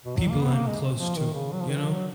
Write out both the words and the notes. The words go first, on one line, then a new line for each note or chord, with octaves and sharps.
people I'm close to, you know?
B2
F#3
A#3
B3
A#3
G#3
F3
D#3
C#3
F#3
F3
D#3
F3
F#3